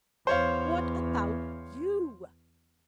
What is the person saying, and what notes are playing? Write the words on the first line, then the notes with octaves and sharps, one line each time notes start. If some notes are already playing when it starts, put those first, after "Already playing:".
What about you?
E2 C5 C#5 F5